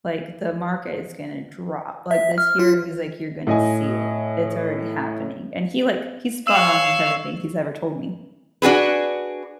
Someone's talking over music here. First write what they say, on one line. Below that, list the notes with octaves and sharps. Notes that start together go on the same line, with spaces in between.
like, the market is gonna drop," like, this year he's, like, "You're gonna see it, it's already happening," and he, like he's spot on with everything he's ever told me,
E5
F6
F4
A2 D#5 G#5
C#5 F5 E6 E7
D4 F#4 G#4 B4